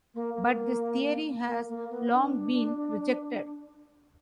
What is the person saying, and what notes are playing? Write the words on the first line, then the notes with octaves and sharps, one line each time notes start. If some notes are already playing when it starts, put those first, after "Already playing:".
But this theory has long been rejected.
A#3
A#3
A#3
A#3
B3
D4